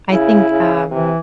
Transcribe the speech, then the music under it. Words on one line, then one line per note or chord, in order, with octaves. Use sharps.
I think, um
C#3 E4
C#3
C3 E3